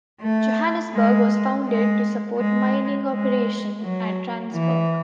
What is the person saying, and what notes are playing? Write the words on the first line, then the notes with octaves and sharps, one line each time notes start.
Johannesburg was founded to support mining operation at Randsburg.
A3
G#3
G#3
G#3
G#3
F#3
E3